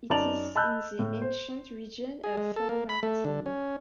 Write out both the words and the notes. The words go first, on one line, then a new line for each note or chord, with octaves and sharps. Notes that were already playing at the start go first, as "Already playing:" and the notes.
It is in the ancient region of Formartine.
F#2 D#4 D5 A5 F7 F#7
D#5 A5 B5 E6 F#6 G6
A2
C5
G#4
G#3
A4
A#3
B5
A3
D3
C#4